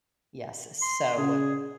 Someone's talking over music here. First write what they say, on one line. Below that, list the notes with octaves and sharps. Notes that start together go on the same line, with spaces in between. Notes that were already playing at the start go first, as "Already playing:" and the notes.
Yes, so,
C6
C#3 G#4